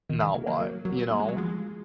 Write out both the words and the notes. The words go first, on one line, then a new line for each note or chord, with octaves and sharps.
now what, you know
D#3
C#3
F#3 A#3
F#3 A#3
F#3 A#3
F#3 A#3
A#3
G#3
F#3
F3 G#3